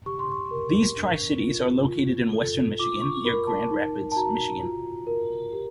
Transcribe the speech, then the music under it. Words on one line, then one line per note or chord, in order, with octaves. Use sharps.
These tri-cities are located in Western Michigan, near Grand Rapids, Michigan.
G4 C#6
C6
C#6
A#4
D4
F4
F4
A4
F4 D6
C#6
A#4 B5
A5
D#4 A5
A5
F#4 A#5
F4
A#4
G4